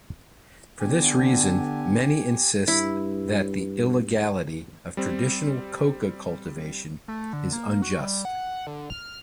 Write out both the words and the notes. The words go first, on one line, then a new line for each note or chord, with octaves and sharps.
For this reason many insist that the illegality of traditional coca cultivation is unjust.
D3 B3 G4 G#5
G2 E4
G3 C4
A3
D3
A#3
F#4
G3
F#5
D3
F6